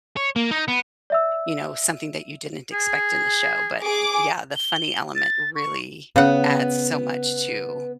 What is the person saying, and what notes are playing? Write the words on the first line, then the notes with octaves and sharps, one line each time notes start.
you know, something that you didn't expect in the show. But, yeah, the funny element really adds so much to
C#5
A#3
D#4
B3
D5 E5 E6
G#4
G#4 D6
G7
A6
C#6
C#3 B3 F#5